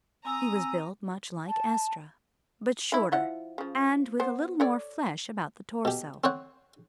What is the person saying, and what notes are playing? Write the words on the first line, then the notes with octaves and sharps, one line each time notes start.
He was built much like Estra, but shorter, and with a little more flesh about the torso.
C4 G#5 A#5 D#6 E6
A5
D#3 E4
F3 E4 F#5
C#3 F3
B3 C5
A4 C#5 D5
B2 G4
C4 C5 C#5 F#5